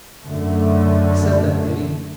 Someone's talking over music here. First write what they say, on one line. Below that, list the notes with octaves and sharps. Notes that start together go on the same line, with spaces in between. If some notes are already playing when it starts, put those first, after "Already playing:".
"He said that, did he?"
F#2 D3 A3